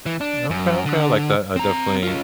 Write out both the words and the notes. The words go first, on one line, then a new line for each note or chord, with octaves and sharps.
Okay, okay, I like that. I definitely
E3
D4
F#2
D3
C4 A#5
C#4 F4